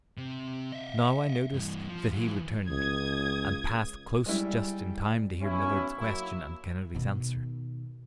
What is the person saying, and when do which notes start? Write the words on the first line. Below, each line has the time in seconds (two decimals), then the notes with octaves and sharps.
Now I noticed that he returned and passed close just in time to hear Millard's question and Kennedy's answer.
0.18 C3
0.72 D#5 E5
1.54 G2 E3
1.87 F3
2.13 E3 F#3
2.69 C#2 D#6 G#6
4.26 G3 G#3 E4
5.39 B1 C#4 E4
5.97 F#3 A#3 E4
6.94 B2 D#3